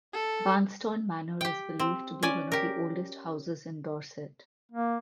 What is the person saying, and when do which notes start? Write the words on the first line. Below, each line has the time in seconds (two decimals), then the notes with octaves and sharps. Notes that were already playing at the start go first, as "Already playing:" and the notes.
Barnston Manor is believed to be one of the oldest houses in Dorset.
0.14 A4
1.41 G4 G5
1.79 C4
2.23 C#4 D5 G#5
2.52 G4 A#4
4.72 A#3